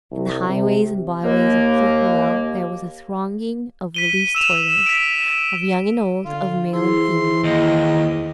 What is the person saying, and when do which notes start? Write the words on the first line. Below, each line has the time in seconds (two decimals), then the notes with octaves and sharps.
In the highways and byways of Clerkenwell there was a thronging of released toilers, of young and old, of male and female.
0.11 C2
0.49 C3
1.23 D#2 A#3
3.94 B6 D#7 G7
4.35 E6 E7 F7
4.86 B6 D7
6.25 D3 F4
6.73 E3 E4 G#4 C5 C6
7.43 D#2 D#5